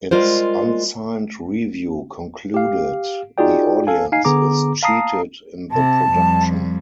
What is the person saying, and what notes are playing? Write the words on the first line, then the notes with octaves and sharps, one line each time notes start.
Its unsigned review concluded: The audience is cheated in the production.
G3 G#3 F4 A#4 C5
G4 F5
D#4 F4 F#4 G#4 D5 G5
A4 F5 G#5
D#4 F5 G#5 C7
D3 B3 G#4 A#5 D6
F5 A5 A#5 D#6 C7
C3 A5
F2 G3